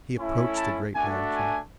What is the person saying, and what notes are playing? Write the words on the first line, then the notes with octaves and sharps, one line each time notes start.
He approached the great mansion.
A3 C#4 E4
A5
A3 D4 F#4 G#5
G#5